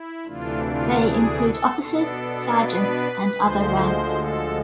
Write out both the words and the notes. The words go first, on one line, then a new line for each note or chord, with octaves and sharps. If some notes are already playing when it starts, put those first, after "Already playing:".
They include officers, sergeants and other ranks.
Already playing: E4
D2 C3 E3 A3 D4 F4
F4
G#4
A4
B2 B3 D4 A4
B4
D2 D3 F3 G#3 C5
A4